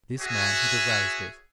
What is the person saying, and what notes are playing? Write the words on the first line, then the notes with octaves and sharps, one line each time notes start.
This man had aroused it.
F#4 G#4 C#5 E5 F#5 G#5